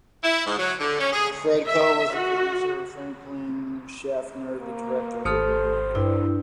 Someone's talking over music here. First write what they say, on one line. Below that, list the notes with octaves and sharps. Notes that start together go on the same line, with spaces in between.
Fred Coe was the producer and Franklin Schaffner the director.
E4
G#2
F#3
D3
C#4
G#4
E5
F#4
A#3
G#1 A3 G4 A4 C5 D#6 F6
G2 E4